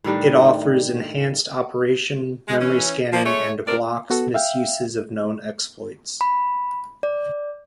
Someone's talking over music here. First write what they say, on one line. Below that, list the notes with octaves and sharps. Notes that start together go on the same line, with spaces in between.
It offers enhanced operation memory scanning and blocks misuses of known exploits.
A2 D#3 G3 D4
G#3
E3 C#4
F3 A#3
G#3 A3 C#5
A2 C4 D4 A#4 D5
B3 F#4 A4
E5 F5 G5
B5
D5